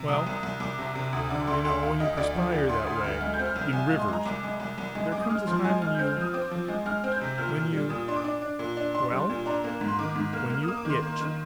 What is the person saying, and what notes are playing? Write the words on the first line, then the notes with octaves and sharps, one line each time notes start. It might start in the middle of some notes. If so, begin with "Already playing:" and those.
Well, you know, when you perspire that way, in rivers, there comes a time when you--when you--well, when you itch.
Already playing: C3
C2 D#6
C2
C2
C2 D6
C3
C3
D2 D#6
D3 D6
D2 C6
D2 C6
D2 F5
D2 D#5
D2 D5
F3
D2
D2 C6
D2 D#6
F6
D2
G#3 F6
G6
C4
F6
C2
C2 G#5
G#3 F5
C6
G#3 A#5
C2 D6
G#3
C2
C2
G#3
G#3 D6
D#6
G#3 F6
F3 C6
G#3 G#5
G#3 F6
C4 G6
F6
F3 D#6
C4 D6
F3
G#3
G#3 F6
C4
G6
C3
A#2 F6
A#2
G3
A#2 D#6
D4 C6
D6
D4
D4
A#2
D4
D4 C6
G3
A#2
D4 A#5
A#3
G#2
C6
D#3 D6
G#2
A#3 F6
A#3 F6
A#3 D#6
D6
D#3 C6
A#3
D#3